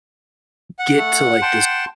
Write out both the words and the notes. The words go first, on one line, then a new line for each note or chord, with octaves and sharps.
get to, like, this
F#5
A3
G5 A5 C6